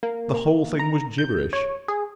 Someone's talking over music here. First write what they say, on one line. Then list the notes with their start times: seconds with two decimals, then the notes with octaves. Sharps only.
The whole thing was gibberish!
0.03 A#3
0.34 A#3
0.79 A#5
1.18 G6
1.53 C#5
1.88 G#4